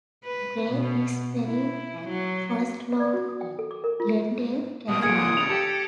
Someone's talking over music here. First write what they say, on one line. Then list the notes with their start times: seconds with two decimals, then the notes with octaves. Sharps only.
Grey is buried at Forest Lawn in Glendale, California.
0.24 B4
0.69 B2
1.46 E4
2.08 F#3
3.00 D5
3.13 F#4
3.28 D#6
3.41 G5
3.59 A4
3.71 D6
3.84 A#4
4.00 F4
4.88 B2 A#3 D#6
5.02 A#2 D3 G#4 G#6 C#7 D7
5.16 D#6
5.37 C#3 G3 F7
5.49 G4 A4